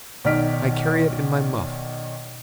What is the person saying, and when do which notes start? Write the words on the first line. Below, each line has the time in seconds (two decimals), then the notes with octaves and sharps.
I carry it in my muff.
0.24 B1 D#3 D5 F6 B6 D7